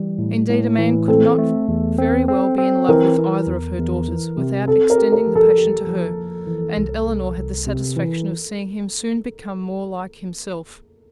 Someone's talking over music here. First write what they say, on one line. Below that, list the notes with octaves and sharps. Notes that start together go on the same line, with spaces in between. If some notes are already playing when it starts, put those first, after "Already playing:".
Indeed a man could not very well be in love with either of her daughters, without extending the passion to her; and Elinor had the satisfaction of seeing him soon become more like himself.
Already playing: E3 G3
A2
A2
E3
C4 A4
A3
E2
C4
C4
C4
E3 A#4
E3
E2
E2
E3
C3
C4 A4
A#4
G4
A#4
F3
A4
G4
F3
F3
E3
C2
C2
C2
C3
E3